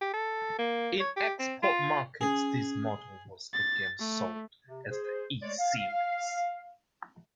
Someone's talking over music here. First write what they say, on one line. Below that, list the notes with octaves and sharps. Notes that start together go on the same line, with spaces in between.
In export markets this model was again sold as the E-series.
G4
A4
A#3
C#5
G4
C4
F4
C#4 G#4
A6
A3
C3
G#4 C5
G#3 A3 C#5 D5
F5